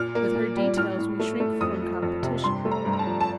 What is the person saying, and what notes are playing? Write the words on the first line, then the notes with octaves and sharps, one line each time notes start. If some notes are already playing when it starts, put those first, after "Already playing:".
With her details we shrink from competition.
Already playing: A#2 F6
A#3
A#2
G3
A2 F6
A2
A3
A3
F2 D#6
F3
F2
C3
G2 C6
A3
A#5
G2
A#5
A5
F3
A5